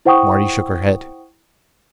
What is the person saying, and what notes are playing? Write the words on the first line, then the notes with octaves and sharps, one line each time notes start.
Marty shook her head.
E4 C5 F#5 G5 C#6 D#6